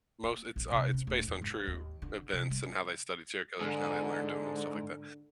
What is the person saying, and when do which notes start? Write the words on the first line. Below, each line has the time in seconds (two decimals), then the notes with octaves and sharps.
most it's, uh it's based on true events and how they studied serial killers and how they learned them and stuff like that.
0.23 A#3
0.56 A#1
0.71 C3
0.93 C#4
1.07 D1
1.28 E2
1.41 G#1
1.67 D#2
2.02 D3
2.33 C3
2.50 G3
3.61 G#2 D3